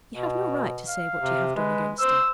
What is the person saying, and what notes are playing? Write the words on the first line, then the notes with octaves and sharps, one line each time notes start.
You have no right to say what you have done against her.'
B2
F5
C3
G#3 B4
C5 E6